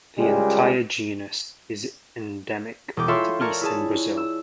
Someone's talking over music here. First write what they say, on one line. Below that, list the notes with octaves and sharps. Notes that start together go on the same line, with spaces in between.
The entire genus is endemic to eastern Brazil.
C#2 G3 G#3
E1 G#4 G5 D6
F4 A4 C#5 E5 B5 C6
A#4 C#5 D5 A5 F6
E4 G#4 A5
E6